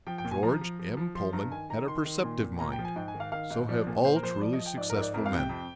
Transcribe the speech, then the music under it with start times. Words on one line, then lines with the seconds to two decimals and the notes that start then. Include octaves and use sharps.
George M. Pullman had a perceptive mind--so have all truly successful men.
0.07 F3 G5
0.18 G5
0.25 A#2
0.31 G#5
0.43 F3 A#5
0.61 F3
0.79 F3
0.97 F3
1.15 F3 C6
1.33 G2 A#5
1.51 D#3 G#5
1.70 D#3 A#5
1.87 D#3 C6
2.05 D#3
2.24 A#2
2.42 A#2
2.60 A#2 A#5
2.72 G5
2.79 F3
2.85 G#5
2.96 G#2 G5
3.08 G#5
3.14 D#3
3.20 F5
3.32 D#3 F5
3.51 G#2
3.69 F3 D5
3.87 A#2
4.05 A#2 C5
4.16 A#4
4.23 F3 C5
4.41 F3 D5
4.53 D#5
4.59 F3
4.66 G5
4.77 G#2 D5
4.90 A#4
4.96 G#2
5.02 D5
5.14 F2 A#4
5.26 F5
5.31 C3
5.38 G5
5.49 F2